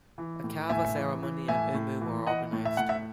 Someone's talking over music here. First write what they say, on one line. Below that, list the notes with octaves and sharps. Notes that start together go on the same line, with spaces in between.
A kava ceremony and umu were organised.
E3
A2
A2 E5 G#5
E3
E3
A2 E5 G#5
A2
E3
E3 D#5 F#5
A2
E5
A2 F#5
E5